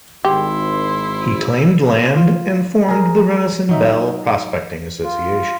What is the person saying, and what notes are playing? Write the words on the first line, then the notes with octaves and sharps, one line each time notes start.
He claimed land and formed the Renison Bell Prospecting Association.
G#1 E4 G4 C6
F4
G#4 A#4
F#3 D#4 E5
F4